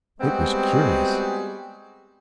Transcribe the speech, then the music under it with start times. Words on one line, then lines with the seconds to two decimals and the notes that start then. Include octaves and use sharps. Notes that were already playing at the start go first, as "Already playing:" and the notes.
It was curious.
0.21 G3 G#3 B3 C4 F#4 G#4